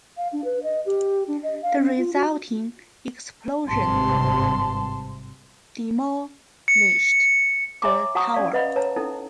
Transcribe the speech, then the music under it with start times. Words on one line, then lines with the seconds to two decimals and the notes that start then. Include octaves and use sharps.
The resulting explosion demolished the tower.
0.17 F5
0.33 D4
0.44 B4
0.63 D#5
0.86 G4
1.28 D4
1.43 D#5
1.62 F5
1.78 C#4
1.98 F4
2.14 F#4
3.69 G#1 G2 C3 A5 C6
6.68 C#7
7.82 C#5 E5 G#5 A#5 C6 D6
8.15 F#4 F#5 A5 A#5 C#6 D#6
8.34 C#4 D5 F5
8.53 B4 D#5 F#5 B5
8.76 B4 C#5 A5 A#5
8.96 C#4 D#4 E4 A4